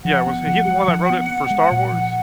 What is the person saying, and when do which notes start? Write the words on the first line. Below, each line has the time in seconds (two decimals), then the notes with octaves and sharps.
Yeah, was h he the one that wrote it for Star Wars?
0.05 F3 F#5
0.27 B3
0.47 F3
0.68 G#3
0.88 F3
1.10 B3
1.31 B3
1.51 G#3
1.71 A#2
1.93 F3